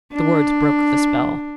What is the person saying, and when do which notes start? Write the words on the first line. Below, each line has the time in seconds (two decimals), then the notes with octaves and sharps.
The words broke the spell.
0.13 D4